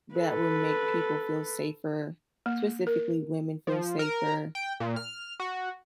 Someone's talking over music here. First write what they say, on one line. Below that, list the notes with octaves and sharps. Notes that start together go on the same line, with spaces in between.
that will make people feel safer, specifically women feel safer,
A4 B4
A#3
A#4
F3
A#4
G5
A#2
F6
F#4